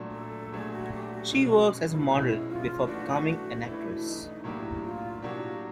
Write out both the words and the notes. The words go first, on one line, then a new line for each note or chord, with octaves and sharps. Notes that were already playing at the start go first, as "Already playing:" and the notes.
She worked as a model before becoming an actress.
Already playing: A#2 F#3 A3 D4
A4
A#2 F#3 A3 D4 G#4
F#4
G4
F#4
B2 G#3 C#4 F#4
F#4
E4
B2 G#3 C#4 E4
F4
E3 A3 D4 F#4
F#4
E3 A3 D4 E4
D#4
A2 F#3 A#3 D4 E4 G4
F4
A2 F#3 A#3 D4 F#4 G4